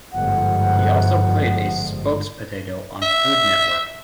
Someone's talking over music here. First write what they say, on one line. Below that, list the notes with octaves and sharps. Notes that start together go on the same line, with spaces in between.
He also played a spokes-potato on Food Network.
G1 G#2 F3 F#5
E5